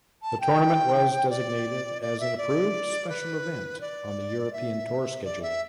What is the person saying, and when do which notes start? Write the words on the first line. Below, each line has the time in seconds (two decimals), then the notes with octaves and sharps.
The tournament was designated as an "Approved Special Event" on the European Tour schedule.
0.22 A5
0.40 G5
1.29 D5
2.01 D5
2.20 E5
2.37 D5
3.09 B4
3.81 D5
4.52 E5
5.24 D5
5.42 E5